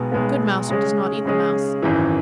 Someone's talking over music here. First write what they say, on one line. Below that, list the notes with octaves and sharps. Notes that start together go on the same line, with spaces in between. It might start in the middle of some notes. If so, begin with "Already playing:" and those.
A good mouser does not eat the mouse.
Already playing: B1 B2 G#3 B3
B1 B2 G#3 B3
C#3 G#3 C#4 G#4
C#3 G#3 C#4 G#4
G#1 F#2 E3